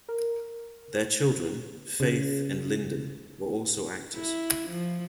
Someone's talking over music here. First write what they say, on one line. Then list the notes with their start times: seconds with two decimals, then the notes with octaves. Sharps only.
Their children, Faith and Lyndon, were also actors.
0.09 A#4
2.00 C#3
4.15 E4
4.68 F3